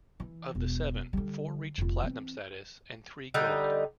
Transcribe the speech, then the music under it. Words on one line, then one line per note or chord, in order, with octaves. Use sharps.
Of the seven, four reached platinum status, and three gold.
E3
E1
D3 G3
F1 F4
E3 C4
D3 G3 D#4